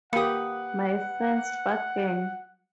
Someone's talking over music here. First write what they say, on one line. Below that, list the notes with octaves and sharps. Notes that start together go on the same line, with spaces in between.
My friend's buggin'.
A#3 G4 B4 F5 F#5 D#6 C#7